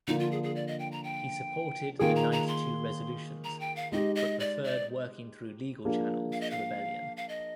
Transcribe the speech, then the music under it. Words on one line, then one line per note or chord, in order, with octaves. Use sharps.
He supported the Ninety-Two Resolutions, but preferred working through legal channels to rebellion.
D3 F3 A#3 D4 D#4
F4
G#4
G#4
D5
D#5
G5
A#5
G5
D#3 A#3 F4 G#4 G5
A#5
A#5
C6
A#5
G5
F5
G#3 D#4 G4 D#5
D#5
D5
D5
F3 A#3 D4 G#4
F5
D#5
F5
F5
D#5